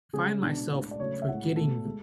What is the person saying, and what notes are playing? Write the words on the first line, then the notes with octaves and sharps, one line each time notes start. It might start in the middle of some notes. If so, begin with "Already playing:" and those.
find myself forgetting v
C#3 G#3 G#4
B2 G#3 D4
A2 G#3
D5
C#3 F#3 A3 C#5
E5
A2 G#3 F#5
B2 A3 A4
G#3